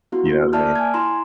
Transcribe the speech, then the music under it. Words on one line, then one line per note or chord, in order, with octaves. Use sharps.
You know what I mean?
B3 E4 F#4
A#3 E4
A#3 D5 E5 A5 F6 G6
G#5 G#6
E4 A#5 C6